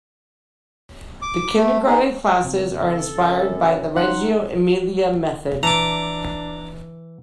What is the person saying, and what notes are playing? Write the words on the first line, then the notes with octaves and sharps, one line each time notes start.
The kindergarten classes are inspired by the Reggio Emilia method.
D6
A3
B3 D#4 G#4
C#3 C4
A4
F#2
C#4 C#5
F#3 D#4 F#5 C6
E3 D4 A5 A#5 D6